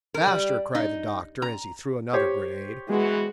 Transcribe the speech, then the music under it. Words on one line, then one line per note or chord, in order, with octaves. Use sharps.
"Faster!" cried the doctor, as he threw another grenade.
A#4
G3
D#4
A#5
G4 C5 C#5
E3 G#3 B3 F#4